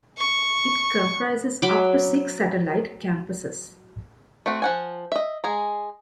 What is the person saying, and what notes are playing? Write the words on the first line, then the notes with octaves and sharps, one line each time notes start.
It comprises up to six satellite campuses.
C#6
F#3 B5 D6
A3 C4 F#4
F3 F#5 G#5
D#5 E5
G#3 G#4 A#5